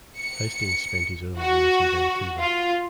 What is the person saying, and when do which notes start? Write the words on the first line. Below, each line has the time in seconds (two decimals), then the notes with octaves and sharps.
Hastings spent his early years in Vancouver.
0.17 C#7
1.38 F#4
2.38 F4